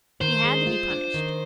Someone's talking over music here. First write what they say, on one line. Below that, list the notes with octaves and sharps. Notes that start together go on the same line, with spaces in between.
"He had to be punished."
D#3 C5
G#3
F4
D4
D#3